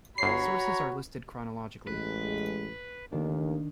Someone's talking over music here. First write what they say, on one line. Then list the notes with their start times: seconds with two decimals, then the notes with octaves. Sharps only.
Sources are listed chronologically.
0.18 G1 F#4 C#5 A#5 B5 C7
1.87 A1 G#3 B4
3.12 D#2 D#3 A3 A#3 D4